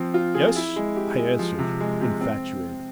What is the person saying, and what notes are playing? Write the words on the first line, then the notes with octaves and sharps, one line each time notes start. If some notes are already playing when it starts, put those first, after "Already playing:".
"Yes," I answered, infatuated.
Already playing: F3 C4
F4
G#4
E4
G#3
G4
G#3
F3
C3
G#3
C3
C4